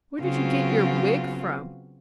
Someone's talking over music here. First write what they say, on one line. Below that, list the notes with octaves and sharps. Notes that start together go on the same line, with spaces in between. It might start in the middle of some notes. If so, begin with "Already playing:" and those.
Where did you get your wig from?
C#3 F#3 B3 C4 F4 F#4